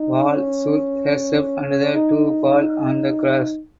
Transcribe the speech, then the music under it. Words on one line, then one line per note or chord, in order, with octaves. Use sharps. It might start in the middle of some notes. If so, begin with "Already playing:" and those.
Val shoots herself and the two fall on the grass.
Already playing: D#4
C#4
C#4
D#4